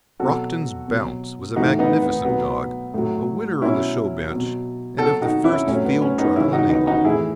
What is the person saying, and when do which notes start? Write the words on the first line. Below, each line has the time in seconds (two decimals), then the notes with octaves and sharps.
Brockton's Bounce was a magnificent dog, a winner on the show bench, and of the first Field Trial in England.
0.20 B2 F#3 F#4 A4
0.88 B2 F#3
1.56 E3 D#4 F#4
1.59 A2
1.79 B3 D#4
2.02 B3
2.25 B2 F#3 B3
2.94 A2 F#3
3.62 B2 F#3 C#4 E4
4.30 B2 F#3
4.98 B2 F#3 F#4 A4
5.21 D#4 F#4
5.44 C#4 E4
5.67 A2 C#4
5.72 F#3
5.85 B3
6.02 C#4
6.18 B3 D#4
6.36 C#3 C#4 E4
6.38 E3
6.53 D#4 F#4
6.70 B3 D#4
6.87 D#4 F#4
7.05 A2 E4 G#4
7.08 E3